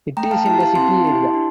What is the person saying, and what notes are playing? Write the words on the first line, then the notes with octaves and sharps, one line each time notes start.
It is in the city area.
A3 G5 A#5
F5 A5
E4 G4 F5 A5
F5 A5
C4 A5 C6
E4 G4
D4